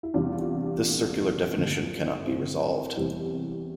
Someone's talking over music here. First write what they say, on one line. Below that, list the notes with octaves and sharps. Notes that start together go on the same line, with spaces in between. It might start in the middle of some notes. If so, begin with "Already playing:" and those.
This circular definition cannot be resolved.
E4
E2 C3 G3 D4 F4
G2 D3 F3
C4 E4
E2 C3 E3 G3